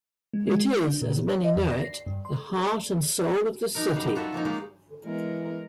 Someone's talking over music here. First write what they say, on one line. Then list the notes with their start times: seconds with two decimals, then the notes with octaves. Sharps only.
It is, as many know it, the heart and soul of the city.
0.34 G#3
0.47 G#3
0.73 G6
0.87 D4
1.02 A#2
1.29 C#5
1.44 D#5
1.56 E2
1.71 A#6
1.85 C7
2.06 G2
2.25 C6
3.75 D4 D#4 A#4
3.95 F#2 G3 F5 F#5
4.15 F4 F#4 A4 E5
4.33 F3 A#3 C#4 D#4
4.45 G#3 A#3 F4 G4
5.05 E3 G#3 B3 A#4